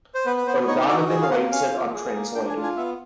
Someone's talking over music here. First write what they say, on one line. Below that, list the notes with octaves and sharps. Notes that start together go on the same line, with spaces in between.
O'Donovan leaves it untranslated.
C5
B3 B4
B4
B3 C5
D#4 C#5
F#4 D5
G#4 D#5
F5
A#3 F#5
C#4 F5
F4
G#4
A#3
D4 G5
G#5
F4
G#5
B3 E5